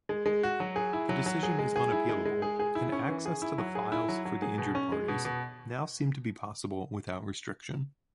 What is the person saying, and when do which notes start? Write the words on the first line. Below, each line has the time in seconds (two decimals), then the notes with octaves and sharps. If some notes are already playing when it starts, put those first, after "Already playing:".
The decision is unappealable and access to the files for the injured parties now seemed to be possible without restriction.
0.09 G#3
0.26 G#3
0.43 F#4
0.60 F#3
0.76 G#4
0.93 E4
1.09 F#3
1.26 F#3
1.43 G#4
1.59 G#3
1.76 G#4
1.92 E4
2.09 G#3
2.25 G#3
2.42 G#4
2.59 G#4
2.75 E4
2.92 C#4
3.09 E3
3.26 G#4
3.42 E4
3.58 F#3
3.75 G#4
3.92 E4
4.08 F#3
4.25 F#3
4.42 G#4
4.58 B2
4.75 C#4
4.92 G#3
5.08 B2
5.25 B2